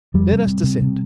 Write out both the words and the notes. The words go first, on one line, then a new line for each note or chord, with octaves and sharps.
Let us descend.
F2 G3
C3
C3
C3
C3